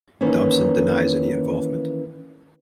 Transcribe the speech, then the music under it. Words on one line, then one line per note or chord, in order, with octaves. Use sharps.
Dobson denies any involvement.
D#3 E3 A#3 C#4